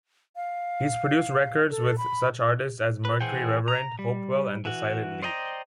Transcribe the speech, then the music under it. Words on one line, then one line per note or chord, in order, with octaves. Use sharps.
He's produced records with such artists as Mercury Reverend, Hopewell and The Silent League.
F5
A4
B5
B4
E3 G#4 C5 F#5 G5
A#5
G3
E3 F#4
C5 D5 D#5 G5 A#5